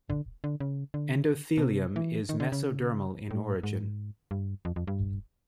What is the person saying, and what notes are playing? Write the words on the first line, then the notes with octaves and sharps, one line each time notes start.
Endothelium is mesodermal in origin.
D3
D3
C#3
D3
B2
C3
E3
D#3
D3
C#3
A2
G#2
G2
F2
F2
G2